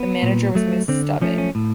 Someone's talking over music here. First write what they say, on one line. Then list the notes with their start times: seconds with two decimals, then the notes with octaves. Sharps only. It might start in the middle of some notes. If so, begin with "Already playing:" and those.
The manager was Moose Stubing.
Already playing: B3
0.23 A#2
0.55 F#3 A3
0.88 D3 C4
1.21 F3 A3 C#4
1.38 C#4
1.55 A2